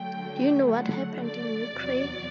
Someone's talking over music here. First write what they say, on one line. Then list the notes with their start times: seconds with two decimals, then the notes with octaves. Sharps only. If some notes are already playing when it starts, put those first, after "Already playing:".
Do you know what happened in Ukraine?
Already playing: D3 F#3 A3 G5
0.70 F#5
1.24 D5
1.77 E2 C3 F#3